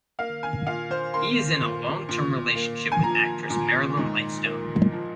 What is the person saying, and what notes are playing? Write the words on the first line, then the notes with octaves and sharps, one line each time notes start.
He is in a long-term relationship with actress Marilyn Lightstone.
A#3 F5
G#5
A#2 F5
C5
A#3 C6
A#2
A#2
A#3
G#5
F3 A#5
A#2
G#2
A#3
F3